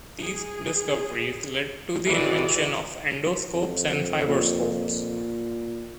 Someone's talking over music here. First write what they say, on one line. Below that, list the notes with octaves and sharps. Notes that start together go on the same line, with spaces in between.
These discoveries led to the invention of endoscopes and fiberscopes.
G#4
D#3 E3 F#4 G#4 D5
F2
A#2